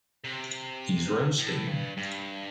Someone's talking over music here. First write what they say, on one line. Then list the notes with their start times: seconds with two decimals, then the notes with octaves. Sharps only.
He’s roasting.
0.24 C3
1.39 A2
1.68 G2
1.97 G2